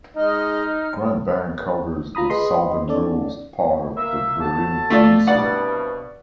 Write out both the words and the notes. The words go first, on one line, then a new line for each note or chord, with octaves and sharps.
Grand Bank covers the southernmost part of the Burin Peninsula.
G#3 D#4 D#5 F6
F4 A#5 B5 D#6
G#4 B4 D#5 B5 C6
C#4 D#4 A4 D5
A#3 E5
F#3 A4 A5
A3 F4 D5
C2 G2 B2 D5 F#5